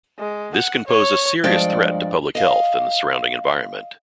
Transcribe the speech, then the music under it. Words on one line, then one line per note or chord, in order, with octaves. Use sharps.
This can pose a serious threat to public health and the surrounding environment.
G#3
F#5
C#5
G2 F3 G#3 D5 G5
D#5 F5